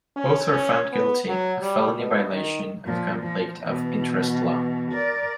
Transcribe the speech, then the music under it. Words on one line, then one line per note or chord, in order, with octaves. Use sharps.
Both were found guilty of felony violation of conflict of interest law.
C#4
C#4
B3
F#3
G3
B2
D#3
A#2 F3
F3
B2 E3
A#4 D5